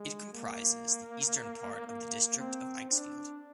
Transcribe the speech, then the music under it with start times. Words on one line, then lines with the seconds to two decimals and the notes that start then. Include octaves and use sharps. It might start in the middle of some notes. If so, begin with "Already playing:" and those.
It comprises the eastern part of the district of Eichsfeld.
Already playing: G#3
0.34 A#3
1.87 A#3
2.39 C4
2.91 D4